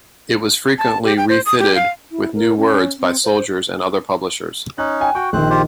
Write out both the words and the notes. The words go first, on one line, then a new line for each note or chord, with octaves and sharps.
It was frequently refitted with new words by soldiers and other publishers.
A5
G4
G5
C5
D#6
G4
F5
E4
A#4
C#4
C4
C5
C#4 D#4 F#6
G5 G#5
F#4 G5 C#6
A#1 D#3 C4 C5 F#6
F4 G4 C5